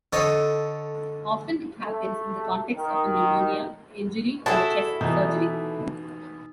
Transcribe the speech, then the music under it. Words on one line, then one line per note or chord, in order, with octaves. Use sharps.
Often it happens in the context of a pneumonia, injury, or chest surgery.
D3 A4 C#5 D#5
A3
D#3
E4 F#4 G#4 A4 A5
B2 E3 D#4